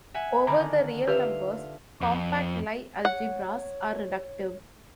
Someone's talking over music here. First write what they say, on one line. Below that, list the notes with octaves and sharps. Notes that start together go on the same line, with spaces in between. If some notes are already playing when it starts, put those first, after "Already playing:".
Over the real numbers, compact Lie algebras are reductive.
E5 F#5 G#5
D3 D#3 A#5 B5
F4 G4 B4 E5 F5
F2
C#5 F#5